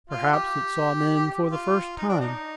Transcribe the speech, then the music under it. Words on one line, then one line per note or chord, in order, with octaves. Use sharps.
Perhaps it saw men for the first time.
F4
G4
F4
D#4
D4
D#4